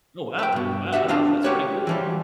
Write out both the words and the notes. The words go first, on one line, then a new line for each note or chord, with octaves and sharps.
Oh wow, wow, that's awes that's pretty cool.
B4 G5
G2 B2
F#4 G4 E5 F#5
C4 D4 F4 F5 A5
C#4 F#4 G4 B4 C#5
E3 F3 G3